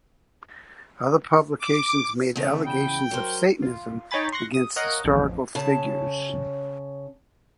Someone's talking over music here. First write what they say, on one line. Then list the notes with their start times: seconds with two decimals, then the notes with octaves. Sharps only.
Other publications made allegations of Satanism against historical figures.
1.59 D6
2.36 E2 C#3 A3 C4
2.66 G5 B5
3.11 F#3 A#4 C5
3.62 F4
4.11 D#4 C#5 G5 G#5 B5 A6
4.32 C6 C#6 F#6 A#6
4.54 D#6
4.76 A#4 C#5 D#5 F5 F#5
5.05 A1 F2
5.55 C#3 C#4 A5